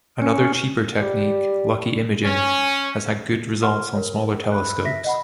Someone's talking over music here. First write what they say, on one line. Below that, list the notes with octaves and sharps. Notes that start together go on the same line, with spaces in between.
Another cheaper technique, lucky imaging, has had good results on smaller telescopes.
C#4
G3
C#4
F#5 C6 F6
A#4 C#5
B5 F#6
E5 A#6 B6
D#5 F#5 B5